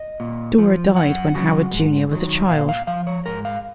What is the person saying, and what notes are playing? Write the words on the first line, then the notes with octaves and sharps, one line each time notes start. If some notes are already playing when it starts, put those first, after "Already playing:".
Dora died when Howard Junior was a child.
Already playing: D#5
A#2
F3
F#2 F#5
C#3 F#3
G#2
D#3 F#3
A#2 F5
F5
F3 F5
C#5
G#2 A#4
F5